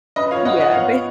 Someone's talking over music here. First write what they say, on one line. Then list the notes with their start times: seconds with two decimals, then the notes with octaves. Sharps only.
yeah, they
0.16 F#2 B4 D#5
0.31 F3 C#5 F5
0.45 F3 D#5 F#5
0.60 F3 D#5 F#5
0.75 B3 C#5 F5